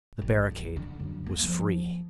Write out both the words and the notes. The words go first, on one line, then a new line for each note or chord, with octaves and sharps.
The barricade was free.
A1
F2
D3
F#2
A#3
F3